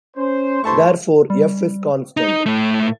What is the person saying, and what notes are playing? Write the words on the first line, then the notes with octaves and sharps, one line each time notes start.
Therefore, "f" is constant.
C#4 C5
G2 A3 E4 C5 A5 C#6
G3
D#4
A2 A3